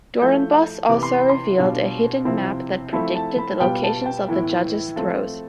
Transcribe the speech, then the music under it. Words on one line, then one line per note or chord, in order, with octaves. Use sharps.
Dorenbos also revealed a hidden map that predicted the locations of the judges' throws.
F3 A3 E4 G6
C3 E3 B3 D6
C6
B5
C6
B2 G3 D4 F4
C3 F3 C4 E4
F3 A3 C4 E4 B5
A5
B5
B2 G3 B3 F4 G5
A5
G5
A2 E3 B3 E4
F3 A3 C4 A5